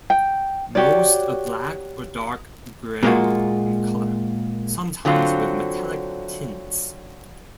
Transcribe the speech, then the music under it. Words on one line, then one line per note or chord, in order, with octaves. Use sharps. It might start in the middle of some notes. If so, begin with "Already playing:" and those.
Most are black or dark grey in colour, sometimes with metallic tints.
G5
F#4 G4 C#5 D5
A#2 G#3 A#3 D4 F4 F#4
D3 F#3 C4 F4